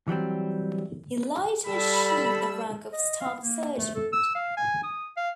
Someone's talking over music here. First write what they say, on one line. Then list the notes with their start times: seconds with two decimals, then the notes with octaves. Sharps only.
He later achieved the rank of staff-sergeant.
0.08 E3 F#3 G3 C4
1.67 G3 A4 B5 E6
2.93 D#5
3.20 F5
3.41 A#3
3.77 A3
3.95 A4
4.13 E6
4.35 F5
4.57 G#5
4.83 D#6
5.17 F5